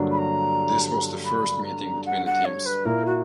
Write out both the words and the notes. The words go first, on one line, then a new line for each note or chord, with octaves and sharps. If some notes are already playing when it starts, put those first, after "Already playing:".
This was the first meeting between the teams.
Already playing: G2 D3 F#3 A#3 D4
B5
A#5
B5
A#5
F#5
F#5
C#5
B4
A#2 A#3 E4 A#4
F#4